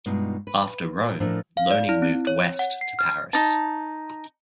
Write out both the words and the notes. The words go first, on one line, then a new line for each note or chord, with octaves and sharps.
After Rome, learning moved west to Paris.
G2 B2 G#3 D#4 F4
B4
A2 F3 A3 D4 A4 A#4
F5
D5
E4
C4
C#5
F#5
C7
F6
D#4 A5